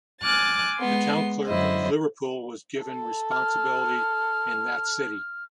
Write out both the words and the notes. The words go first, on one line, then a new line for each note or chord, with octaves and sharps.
The town clerk of Liverpool was given responsibility in that city.
G#5 D6 F6 F#6 A6
G#3 B3 C6
F#2 D3 F#3 E4 C5 D#5
A4
F6